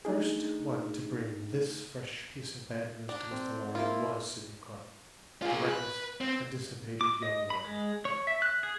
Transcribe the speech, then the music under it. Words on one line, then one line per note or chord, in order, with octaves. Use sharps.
The first one to bring this fresh piece of bad news to Mr. Lorry was Sydney Carton, the reckless and dissipated young lawyer.
A3 D4 D#4 G#4
D4 A#5
C4
A#3 E4 F4 A#4
F4 G#4
B4
C4
D6
D#5
B5
G#3
C#5
E5
F#6
G#4